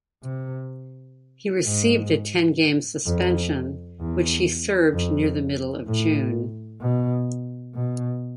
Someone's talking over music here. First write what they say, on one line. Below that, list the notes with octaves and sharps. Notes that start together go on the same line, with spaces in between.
He received a ten-game suspension, which he served near the middle of June.
C3
G#2
F2
E2
F2
A2
B2
B2